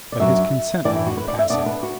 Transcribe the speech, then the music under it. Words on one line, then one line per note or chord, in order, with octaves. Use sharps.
But his consent remained passive.
D5
F#2 F#3 D4 E5
A2 E3 D4 D5
E4
F#4
B4
D5
E5
B2 B3 D4 D5
B4
F#4